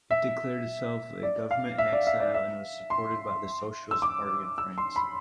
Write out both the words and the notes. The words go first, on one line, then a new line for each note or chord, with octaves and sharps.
It declared itself a government-in-exile and was supported by the Socialist Party in France.
E5
D5
F5
E5
D5
E5
D5
E5
C6
E6
D6
E6
C6
B5